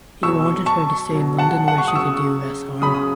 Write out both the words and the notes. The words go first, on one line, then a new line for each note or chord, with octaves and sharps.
He wanted her to stay in London where she could do less harm.
B2 F#3 C#6 E6
A5 C#6
B2 F#3
F#5 A5
F#5 A5
C#6
D#6
C#3 F#3 C#6 E6
C#3 F#3 B5 D#6
D#6